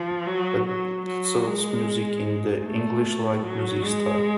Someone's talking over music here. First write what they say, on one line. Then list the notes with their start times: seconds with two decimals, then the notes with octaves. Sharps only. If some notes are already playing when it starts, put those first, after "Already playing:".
Addinsell's music is in the "English light music" style.
Already playing: F3
0.27 F#3
0.67 F#3
1.06 F#3
1.46 G#3
2.63 A3
3.43 F#3
3.82 G#3